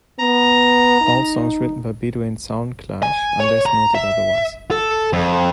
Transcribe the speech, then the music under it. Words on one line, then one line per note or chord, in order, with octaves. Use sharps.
All songs written by Bedouin Soundclash unless noted otherwise.
B3 A#5
D#4
G#5
C#5
A#5
E5
A4
F2